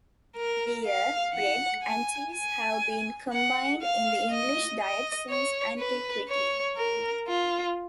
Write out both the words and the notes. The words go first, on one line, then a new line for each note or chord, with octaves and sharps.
Beer, bread, and cheese have been combined in the English diet since antiquity.
A#4
F5
F#5
G#5
G#5
F#5
F5
D#5
D#5
C#5
B4
C#5
A#4
F4